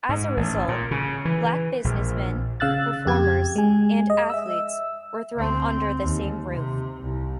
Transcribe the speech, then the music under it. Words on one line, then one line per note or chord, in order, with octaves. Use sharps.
As a result, black businessmen, performers, and athletes were thrown under the same roof.
G#2
A1
A#2
C#3
E3
A#1
C#3 F5 E6 F#6 A6
F2 G4 G#6
G#3 G#5
D#5
E5 E6
D2 C4
D#2
C3
C2